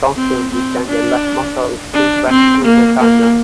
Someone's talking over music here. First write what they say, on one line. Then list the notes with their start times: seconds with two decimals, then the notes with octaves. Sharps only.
Thomson became the last motorist to drive through the tunnel.
0.16 C4
0.52 C4
0.87 D4
1.94 D4
2.30 C4
2.64 A#3
3.00 A#3